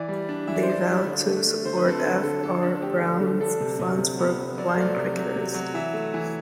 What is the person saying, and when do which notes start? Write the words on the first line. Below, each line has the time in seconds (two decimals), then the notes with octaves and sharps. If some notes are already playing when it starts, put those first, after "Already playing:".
They vowed to support F R Brown's Fund for Blind Cricketers.
Already playing: E3 D5
0.08 G3
0.29 D4
0.47 E3 E5
0.56 D5
0.63 C5
0.68 D4 D5
0.87 G3
1.06 D3
1.26 A3
1.46 A3
1.65 D3 C5
1.77 B4
1.85 C4 A4
1.99 B4
2.05 D3
2.23 D3 A4
2.43 D3 A4
2.62 D4
2.82 A3 G4
3.01 D3
3.21 D3
3.40 D4 A4
3.60 C3
3.79 C3
3.98 C3
4.19 B3
4.39 B3
4.58 F#3 D5
4.69 C5
4.76 A3 D5
4.97 C3
5.16 F#3
5.36 C3
5.54 F#3
5.74 E3 E5
5.94 A3
6.14 E3